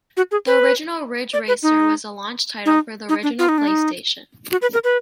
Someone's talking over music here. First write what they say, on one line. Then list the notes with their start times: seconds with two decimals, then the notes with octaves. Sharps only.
The original "Ridge Racer" was a launch title for the original PlayStation.
0.17 F#4
0.31 G#4
0.47 B4
1.33 D5
1.48 B4
1.63 D#4
2.66 D#4
3.09 D#4
3.23 D4
3.39 F4
3.49 D#4
3.58 D4
3.68 D#4
4.52 F#4
4.62 B4
4.74 A#4
4.84 B4